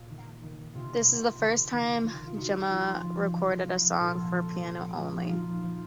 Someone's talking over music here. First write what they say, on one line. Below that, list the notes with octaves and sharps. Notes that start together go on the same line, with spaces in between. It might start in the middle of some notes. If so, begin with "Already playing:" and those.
This is the first time Gemma recorded a song for piano only.
Already playing: A#2
D#3
D#3
C3 F4
C3
D#3
D#3
D#3 F4
F4
C3 D#4 F#4
F3 F4
F3
F3
F3
A#2 F4 A4
F3
F3
F3
D#4
F3 F4
F3